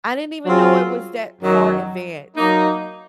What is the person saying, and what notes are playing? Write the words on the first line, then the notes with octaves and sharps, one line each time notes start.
I didn't even know it was that far advanced.
F#3 C4 F4 G#4
F#2 D#3 F#3
F#3 A#3 D#4